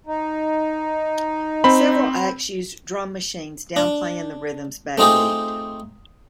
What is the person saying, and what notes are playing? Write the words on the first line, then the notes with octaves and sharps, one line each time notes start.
Several acts used drum machines downplaying the rhythm's backbeat.
D#4
C4 B5
D4
A3 C4 D#4 F4 G4 G#4